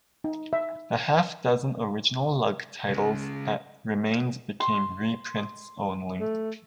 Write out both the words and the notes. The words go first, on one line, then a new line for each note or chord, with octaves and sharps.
The half-dozen original Lug titles that remained became reprints-only.
D#4
E5
C#3 G#3
C6
A3